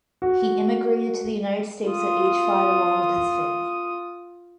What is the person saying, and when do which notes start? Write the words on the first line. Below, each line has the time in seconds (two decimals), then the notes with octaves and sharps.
He immigrated to the United States at age five along with his family.
0.22 F#4
1.89 F4 D#6